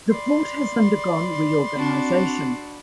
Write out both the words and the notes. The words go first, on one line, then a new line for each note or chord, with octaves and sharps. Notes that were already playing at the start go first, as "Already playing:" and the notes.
The port has undergone reorganisation.
D5 B5 C6
C4 D4 F#4